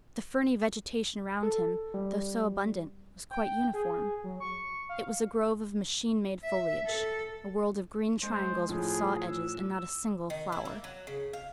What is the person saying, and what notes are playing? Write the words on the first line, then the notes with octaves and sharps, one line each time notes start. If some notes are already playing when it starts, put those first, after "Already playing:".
The ferny vegetation round him, though so abundant, was quite uniform--it was a grove of machine-made foliage, a world of green triangles with saw-edges, and not a single flower.
A4
G3
G5
G#4
F#3
C#6
F5
E5
A4
G#3 C5
A2 F3 G#4
E6
D#3
E4
A#3
F#3
C#3
F5